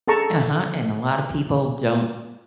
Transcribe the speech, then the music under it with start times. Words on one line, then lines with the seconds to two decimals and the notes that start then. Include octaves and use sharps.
Uh-huh, and a lotta people don't
0.08 G#4 A4 A5 A#5 C#6